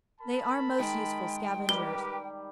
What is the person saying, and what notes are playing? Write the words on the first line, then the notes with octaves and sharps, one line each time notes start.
They are most useful scavengers.
A#4 A5 B5
D#3 G#3 G5
G3 G4 A#4 B4 G7